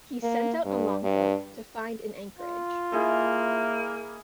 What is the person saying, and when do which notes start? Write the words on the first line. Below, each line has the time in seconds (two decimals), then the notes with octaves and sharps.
He sent out a longboat to find an anchorage.
0.23 A#3
0.65 G2
1.03 G2
2.38 F4
2.92 A#3 E4 G#4 D#5